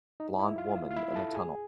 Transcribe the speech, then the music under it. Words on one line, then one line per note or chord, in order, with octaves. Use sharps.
Blond woman in a tunnel.
D#4 D#5
E4 E5
F4 F5
F5
E4 E5
A4 A5
G#4 G#5